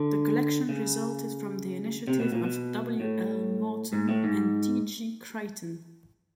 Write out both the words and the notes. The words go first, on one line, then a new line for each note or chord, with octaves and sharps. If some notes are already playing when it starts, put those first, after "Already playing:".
The collection resulted from the initiative of W. L. Morton and D. G. Creighton.
Already playing: D3
C#3
C3
B2
A#2
B2
A2
G#2
A2
G#2